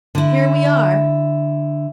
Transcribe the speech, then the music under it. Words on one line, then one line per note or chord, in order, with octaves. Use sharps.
Here we are!
D3 E4